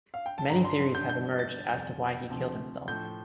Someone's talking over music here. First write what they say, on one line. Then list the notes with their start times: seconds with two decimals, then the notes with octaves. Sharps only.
Many theories have emerged as to why he killed himself.
0.14 F5
0.26 G5
0.38 A5
0.50 G2 F3 A#5
0.64 C6
0.80 C6
0.95 G6
1.09 G2 D3 F3 G6
1.39 A6
1.69 F2 C3 G3 G6
2.28 D2 C3 F3
2.88 A2 F3 G6